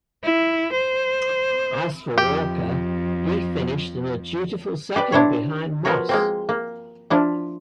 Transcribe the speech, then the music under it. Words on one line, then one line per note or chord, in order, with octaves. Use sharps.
As for Walker, he finished in a dutiful second behind Moss.
E4
C5
F2 G4
G4 B4 D5
D4 E4 C5 C#5
F3 B3 F#4 A#4 C#5
G#3 A#3 C4
A#3
F3 D4 E4